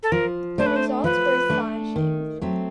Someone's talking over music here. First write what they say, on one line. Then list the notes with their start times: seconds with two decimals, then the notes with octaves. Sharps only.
The results were astonishing.
0.03 A4
0.12 F3 A#4
0.58 A3 D4 C5
0.66 B4
0.76 C5
1.04 F3 B4
1.50 A3 D4
1.96 D#3
2.41 F#3 A3 C4